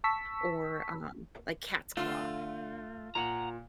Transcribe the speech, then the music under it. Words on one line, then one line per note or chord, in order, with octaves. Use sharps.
or, um, like, cat's claw,
A5 C#6 E6 B6
D3 A3 F4
A#2 F#5 A#5